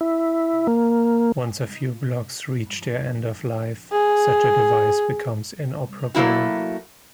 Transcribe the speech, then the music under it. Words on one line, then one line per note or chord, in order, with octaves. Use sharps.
Once a few blocks reach their end of life, such a device becomes inoperable.
E4
A#3
G#4
F#3 A3 A#3 E4 F#4